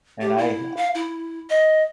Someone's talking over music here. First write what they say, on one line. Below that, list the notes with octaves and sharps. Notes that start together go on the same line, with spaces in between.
And I, uh
G4
E4
F5
E4
D#5